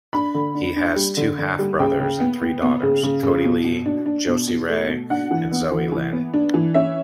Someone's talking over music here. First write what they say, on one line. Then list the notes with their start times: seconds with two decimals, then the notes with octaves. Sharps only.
He has two half-brothers and three daughters, Koddi Lee, Jossi Rae and Zoey Lyn.
0.13 D4 B5
0.34 D3
0.55 D4
0.76 D4
0.96 G3
1.17 D3
1.38 D3
1.59 G3
1.79 C#3 G5
2.00 C#3
2.20 B3
2.42 B3
2.62 B3
2.83 C#3
3.03 C#3
3.23 C#3
3.45 B2
3.64 B2
3.86 D4
4.06 D4
4.28 B2
4.48 B2
4.69 A3
4.89 B2
5.10 D4 F#5
5.31 E3
5.52 B3
5.72 E3
5.92 E3
6.12 B3
6.34 D4
6.54 E3
6.74 C#4 E5